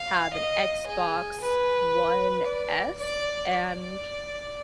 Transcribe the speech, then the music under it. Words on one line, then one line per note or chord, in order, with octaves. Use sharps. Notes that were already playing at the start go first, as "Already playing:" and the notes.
have an Xbox One S, and
Already playing: F5
D#5
G#4
B4
D5
D5
D5